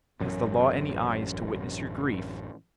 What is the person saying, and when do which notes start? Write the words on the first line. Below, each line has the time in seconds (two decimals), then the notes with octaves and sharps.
Has the law any eyes to witness your grief?
0.20 A1 F#2